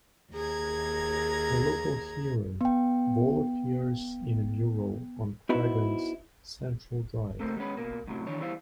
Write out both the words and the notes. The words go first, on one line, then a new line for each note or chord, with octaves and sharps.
A local hero, Ball appears in a mural on Creggan's Central Drive.
D#2 G#4 A#5 G#6
B3 G5
B3 D#4 E4 F#4 B4 C5
C3 A3 A#3 C4
G3 G#3 B3 C#4 B4
B2 A#3
F#2 A2 C3 F#3
D#3 E3 D4 C#5
E2 G3 E4 C5 F5